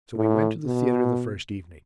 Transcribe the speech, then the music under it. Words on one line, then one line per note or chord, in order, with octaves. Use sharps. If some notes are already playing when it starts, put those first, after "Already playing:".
So we went to the theatre the first evening.
A2
B2